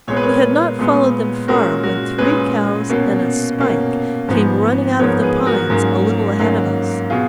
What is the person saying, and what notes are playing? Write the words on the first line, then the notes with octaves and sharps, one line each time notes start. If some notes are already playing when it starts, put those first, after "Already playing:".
We had not followed them far when three cows and a "spike" came running out of the pines a little ahead of us.
A#2 G#3 B3 C#5
B4
A#4 C#5
A#2 G#3 B3
A#2 G#3 C#4 F#4 A#4
F#4 A#4
A#2 G#3 C#4 G#4 B4
B2 A#3 C#4
B2 A#3 C#4
G#2 F3 B3
G#2 F3 B3 A#4 C#5
G#4 B4
F#4 A#4
G#2 F#3 A#3 C#4
G#2 F#3 A#3 C#4
B2 F4 G#4